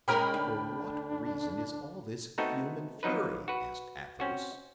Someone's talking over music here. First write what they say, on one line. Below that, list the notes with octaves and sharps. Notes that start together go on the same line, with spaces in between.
"For what reason is all this fume and fury?" asked Athos.
G#3 C#4 A#4 G5 B5 F6
D2 D4
A3 B3 C4 D#4 F#4 A4
D#3 F3 F#3 D#4 B4
F#4 B4
C4 C#4 F#4